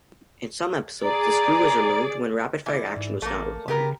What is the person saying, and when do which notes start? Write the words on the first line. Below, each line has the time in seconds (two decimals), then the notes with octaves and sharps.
In some episodes, the screw was removed, when rapid-fire action was not required.
1.03 G#4 D5 A#5
2.66 E3 D5
2.96 G#2
3.22 A1 A3 A#3
3.68 C#3 B3 G4 A#4